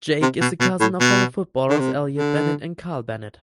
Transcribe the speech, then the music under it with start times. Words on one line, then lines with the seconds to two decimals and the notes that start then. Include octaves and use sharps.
Jake is the cousin of fellow footballers Elliott Bennett and Kyle Bennett.
0.22 C3
0.41 B2
0.60 B2
0.80 A2
1.00 B2
1.70 D3
1.79 C3
2.18 D3